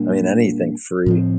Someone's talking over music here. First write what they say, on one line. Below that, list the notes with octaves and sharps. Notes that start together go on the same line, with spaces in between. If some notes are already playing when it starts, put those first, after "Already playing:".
I mean, anything free.
Already playing: A#2 G3 A#3 D4
A2 F3 C4